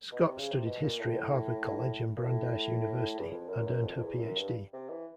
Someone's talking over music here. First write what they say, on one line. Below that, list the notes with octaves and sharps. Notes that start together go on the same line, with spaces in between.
Scott studied history at Harvard College and Brandeis University, and earned her PhD.
B2
C3
C#3
C3
B2
A#2
A2
A#2
A2
E2
F2
F#2
F#2
F2
F2
E2
F#2
G2
C3
E3